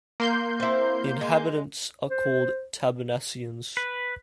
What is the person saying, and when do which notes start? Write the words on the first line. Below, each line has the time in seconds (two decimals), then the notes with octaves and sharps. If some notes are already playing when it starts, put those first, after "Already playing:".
Inhabitants are called "Tabernacians".
0.20 A#3 C6 G6
0.60 C4 E4
1.21 G#3
2.10 C5
3.77 B4